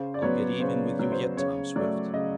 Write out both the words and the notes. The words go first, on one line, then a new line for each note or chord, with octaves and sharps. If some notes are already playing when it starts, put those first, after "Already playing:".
"I'll get even with you yet, Tom Swift!"
Already playing: C#3 C5
D5
F#3 B3 C#5
C#3 C5
F#3 B3
C5
C#3 C#5
F#3 A3 D5
C#3 D#5